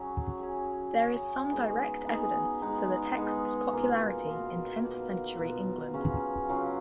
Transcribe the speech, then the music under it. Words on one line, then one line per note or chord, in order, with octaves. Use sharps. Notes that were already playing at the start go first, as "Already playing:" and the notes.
There is some direct evidence for the text's popularity in tenth-century England.
Already playing: F#3 C#4 G#4
F#3 C#4 G#4
F#3 C#4 G#4
G#3 B3 D#4 G#4
G#3 B3 D#4 G#4
G#3 B3 D#4 G#4
G#3 B3 D#4 G#4
B2 A#3 F4
B2 A#3 F4
B2 A#3 F4
B2 A#3 F4
C#3 F#3 C#4 F4
C#3 F#3 C#4 F4